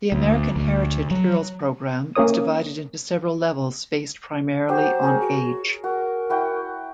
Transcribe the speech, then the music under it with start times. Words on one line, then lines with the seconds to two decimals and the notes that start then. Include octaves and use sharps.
The American Heritage Girls program is divided into several levels based primarily on age.
0.12 D2
0.56 D2
1.11 F#3
2.15 A#3 C#4 A#4 C#5 D#6
4.69 F#3 G4 C5
5.03 G#4 A#4 C#5
5.21 F#4
5.84 F#4 A#4
6.30 E4 F#4 G5